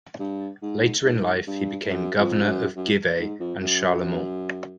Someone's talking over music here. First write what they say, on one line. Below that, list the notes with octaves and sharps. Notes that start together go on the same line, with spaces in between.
Later in life he became Governor of Givet and Charlemont.
G2
G#2
G#2
G2
F#2
F2
G2
F#2
F#2
G#2
F2
F#2